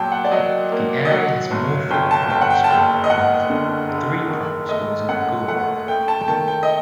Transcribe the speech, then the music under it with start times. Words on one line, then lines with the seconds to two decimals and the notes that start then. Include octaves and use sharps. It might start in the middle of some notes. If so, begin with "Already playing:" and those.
The area has Moorfoot Primary School, one of three primary schools in Gourock.
Already playing: A#2 F#3 G5 A5
0.12 F#5
0.25 D5
0.31 F#3 D#5
0.72 A#3
1.05 D#5
1.11 F#3 F#5
1.51 G1
1.90 G1 G5
2.11 A5
2.30 G1 G5
2.41 F#5
2.50 G5
2.64 A5
2.70 F#1 G5
3.04 D#5
3.10 F#1 F#5
3.50 D3
3.89 F#1
4.29 D#3
4.69 A3 D#5
5.08 F#2 F#5
5.48 A3 F#5
5.88 A3 G5
6.08 A5
6.22 G5
6.28 D#3 A5
6.48 G5
6.63 D#5